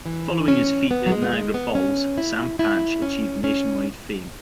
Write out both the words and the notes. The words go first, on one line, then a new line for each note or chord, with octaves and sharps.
Following his feat at Niagara falls, Sam Patch achieved nationwide fame.
E3
C#4
B3
F#3
G#3
B3
G#3
B3
C#4
E4
E4
C#4
C#4